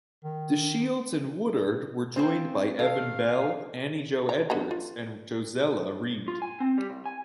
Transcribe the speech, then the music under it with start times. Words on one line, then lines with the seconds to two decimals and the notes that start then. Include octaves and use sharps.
DeShields and Woodard were joined by Evan Bell, Annie Joe Edwards, and Jozella Reed.
0.24 D#3
2.16 C4 F4 G#4 C5
2.79 D#3 A4 F5
4.29 A#5
4.50 D3 B3 A#5
4.71 F4
6.28 F4
6.42 G#5
6.60 C4
6.78 G3
6.90 C2
7.06 G#5